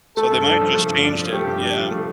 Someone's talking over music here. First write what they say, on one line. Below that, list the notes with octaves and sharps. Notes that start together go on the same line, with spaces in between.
so they might've just changed it. Yeah.
A3 A4
G2
D4
F3
A3
G2
D4
F3
A3 G4
G2
D4
F3
A3